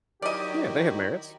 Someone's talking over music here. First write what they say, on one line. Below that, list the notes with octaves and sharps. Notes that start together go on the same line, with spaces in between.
Yeah, they have merits.
D#3 F#3 E4 F#4 G4 D5 D#5